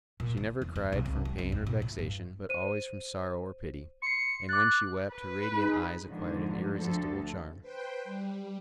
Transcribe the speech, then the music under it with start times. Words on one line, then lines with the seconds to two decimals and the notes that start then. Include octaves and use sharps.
She never cried from pain or vexation, but always from sorrow or pity, and when she wept her radiant eyes acquired an irresistible charm.
0.20 A#2
0.37 D3
0.62 E2
0.76 D3
0.93 B1
1.06 C2
1.25 G3
1.38 C2
1.52 G2
1.67 A#2
1.82 A2
1.99 G2
2.49 C5 D#7
4.02 C6 C7 C#7
4.49 D6 F#6 A6
5.12 B4
5.55 D#4 G#4
6.07 G#2 D3 D#3 F3
6.77 D2 D3 F3 A4
7.61 B4 C5 G5
8.04 G3